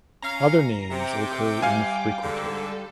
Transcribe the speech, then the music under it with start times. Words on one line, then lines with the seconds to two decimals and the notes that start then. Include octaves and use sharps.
Other names occur infrequently.
0.22 C#4 F5 A#5
0.90 C3 G5 D6
1.62 G3 F5 G#5
2.21 G#2 D3 A4